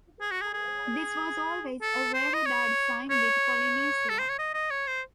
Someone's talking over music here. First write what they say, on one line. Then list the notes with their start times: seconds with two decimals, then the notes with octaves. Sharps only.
This was always a very bad sign with Polynesia.
0.21 G#4
0.31 F#4
0.41 G#4
0.53 G#4
1.82 A4
2.14 C5
2.34 D#5
2.46 C#5
3.10 C#5
4.09 A4
4.19 C5
4.29 C#5
4.39 D#5
4.54 D#5
4.71 C#5
4.87 C5